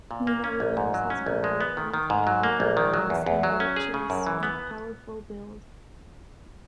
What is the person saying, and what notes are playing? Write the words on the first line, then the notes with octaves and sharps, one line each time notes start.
Nina Williams has blonde ponytail and blue eyes, and voluptuous yet powerful build.
A#2
A#3
C#4
A#1
G#2
F#3
C#4
A#1
G#3
B3
D#3
D#3
G#2
F#3
A#3
A#1
D#3
F#3
E2
E2
F#3
C#4
G#4
C#3
F#2
E3
B3